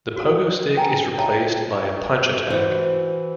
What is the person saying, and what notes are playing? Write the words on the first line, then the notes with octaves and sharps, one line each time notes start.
The pogo stick is replaced by a punch attack.
F#4 C5
B4 G5 G#5 A#5
C#5 D#5 E5 G5 A5 A#5
E3 F#4 C5